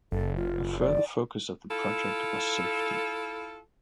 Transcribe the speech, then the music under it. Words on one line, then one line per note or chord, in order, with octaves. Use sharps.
A further focus of the project was safety.
F#1 A4
F4
D5
E4 F4 A4